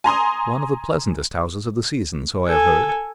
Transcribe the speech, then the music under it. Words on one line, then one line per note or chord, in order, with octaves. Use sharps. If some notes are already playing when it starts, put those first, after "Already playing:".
One of the pleasantest houses of the season, so I have heard.
G#5 A#5 C6 D#6
A4 G#5